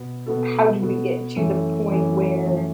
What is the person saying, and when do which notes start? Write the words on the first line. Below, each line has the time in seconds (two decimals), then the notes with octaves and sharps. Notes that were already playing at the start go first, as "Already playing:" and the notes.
How did we get to the point where
Already playing: B2 B3
0.26 B2 B3 F#4 A4
0.81 B2 B3 F#4 A4
1.36 F#2 E3 A3
1.91 F#2 E3 A3
2.46 F#2 E3 A3